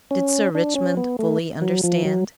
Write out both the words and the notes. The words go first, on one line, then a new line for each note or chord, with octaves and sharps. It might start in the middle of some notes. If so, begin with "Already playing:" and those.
Did Sir Richmond fully understand?
C#4
D4
C#4
B3
A3
F#3
F3
F#3